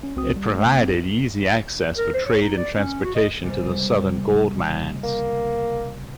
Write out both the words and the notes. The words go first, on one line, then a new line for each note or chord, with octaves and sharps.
It provided easy access for trade and transportation to the southern gold mines.
C#4
C2 C4 F#4 D#6
G3
G#3 A3
C3 A#3
C4
A#4
C5
C#5
D#4
D5
C#4
F#4
D#5
C#2 C3 G3
A#3